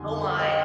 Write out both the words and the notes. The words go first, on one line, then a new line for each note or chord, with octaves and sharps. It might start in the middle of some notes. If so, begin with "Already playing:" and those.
Oh my.
Already playing: F2 D3 G3 B3 D#4 G#5 C6
D#5 G5